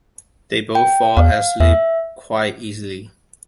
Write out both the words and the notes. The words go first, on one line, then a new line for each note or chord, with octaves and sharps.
They both fall asleep quite easily.
G5
E2 F5
E2 E5